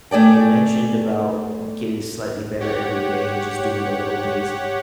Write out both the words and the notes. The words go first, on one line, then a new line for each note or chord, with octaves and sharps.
you mentioned about getting slightly better every day and just doing the little things,
A3 G#4 D5 G5
G4 C#5 F#5